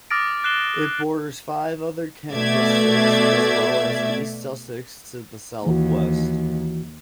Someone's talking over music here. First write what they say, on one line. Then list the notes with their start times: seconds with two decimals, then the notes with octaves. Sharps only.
It borders five other Kent districts, as well as East Sussex to the south-west.
0.11 D6 D#6 F6 A6 A#6 D7
0.44 D6 F#6 C7 E7 G7
2.31 B2 A3 D5 E5 G#6
5.66 D#2 E3 F#4